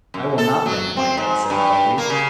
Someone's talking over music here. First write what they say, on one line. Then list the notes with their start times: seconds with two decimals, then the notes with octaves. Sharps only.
"I will not bend my head," said the buckwheat.
0.14 F#2
0.38 A4
0.66 F#3
0.97 C4
1.17 G#2
1.50 G2
1.98 A#3
2.10 C#3